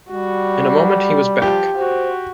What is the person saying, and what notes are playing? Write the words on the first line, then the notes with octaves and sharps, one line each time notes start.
In a moment he was back.
G3 F#4
F3 G4
F#4 C5